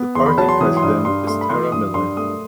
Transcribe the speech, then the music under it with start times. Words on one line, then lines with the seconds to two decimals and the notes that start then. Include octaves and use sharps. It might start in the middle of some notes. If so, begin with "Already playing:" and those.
The party president is Tara Miller.
Already playing: B3
0.15 E2 C6
0.26 B5
0.38 F#3 A5
0.49 C6
0.61 E3 D#6
0.77 C6
0.82 G2 D#6
1.05 G2 C6
1.27 A3 C6
1.41 B5
1.50 E3 C6
1.72 G2 D#6
1.94 G2 C6
2.16 A3 D#6